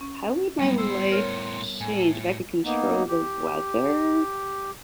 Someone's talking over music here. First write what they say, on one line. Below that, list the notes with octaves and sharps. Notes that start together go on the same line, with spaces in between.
How would my life change if I could control the weather
C#4
F#2 G3 B3 D#4
A2 C5 E6
A#4 C#5 F6
A2 G#5
A#3 B3 D#4
G4